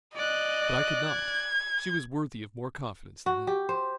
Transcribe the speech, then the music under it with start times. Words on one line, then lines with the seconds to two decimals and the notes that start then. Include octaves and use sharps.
But I could not; she was worthy of more confidence than that.
0.16 D5 D#5 F#6
1.10 G#6
3.26 F#4
3.47 G4
3.69 C5